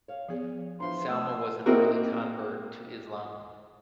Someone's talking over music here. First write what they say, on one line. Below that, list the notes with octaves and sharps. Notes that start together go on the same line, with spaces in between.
Salma was an early convert to Islam.
C#5 F5
F3 B3 G#4 C#5
E3 F3 B3 D4 C6
C#3 A3 E6
A#3 C4 D#4 E4 F#4 A#4